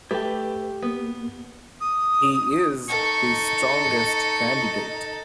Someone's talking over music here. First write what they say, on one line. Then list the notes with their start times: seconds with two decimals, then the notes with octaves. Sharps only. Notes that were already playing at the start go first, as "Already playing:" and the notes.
He is the strongest candidate.
0.11 A3 G4 B4 G5
0.83 A#3 B3
1.80 D#6
2.89 D#4 A4 C#6